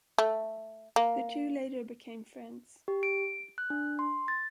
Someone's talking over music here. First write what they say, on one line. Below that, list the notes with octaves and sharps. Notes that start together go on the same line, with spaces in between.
The two later became friends.
A3
A#3
G4
D7
F#6
D4
C6
A6